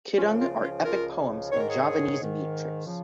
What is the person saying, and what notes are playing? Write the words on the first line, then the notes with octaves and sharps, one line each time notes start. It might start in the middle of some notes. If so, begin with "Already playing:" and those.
Kidung are epic poems in Javanese metres.
C#2 C#3 F3 C#4 F4
F4 A#4
C#4 F4
C#2 C#3 F3 F4 A#4
G#2 D#3 C#5
A#4
G#4 C#5
G#2 D#3
C#3 F3